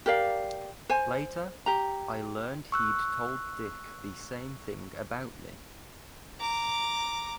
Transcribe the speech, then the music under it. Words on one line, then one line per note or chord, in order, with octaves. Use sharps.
Later, I learned he'd told Dick the same thing about me.
G4 A#4 D5 F5
C5 G#5
G4 A#5
C#6 E6 F#6
A#5 D6